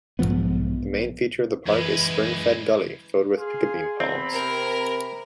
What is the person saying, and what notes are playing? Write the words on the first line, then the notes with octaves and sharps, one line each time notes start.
The main feature of the park is spring-fed gully filled with piccabeen palms.
B1 G#2 F3 B3
F#2 E3 G#3 B4
G#4 F5 C6
E2 C4 G#5 A#5 B5
C3 A#4